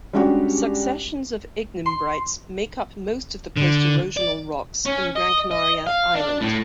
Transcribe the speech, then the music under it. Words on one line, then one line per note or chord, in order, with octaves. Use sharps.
Successions of ignimbrites make up most of the post-erosional rocks in Gran Canaria Island.
G3 G#3 C#4 D4 F#4 G4
C6
D3
D5
C#4
D#5
D#5
F5
D4
A2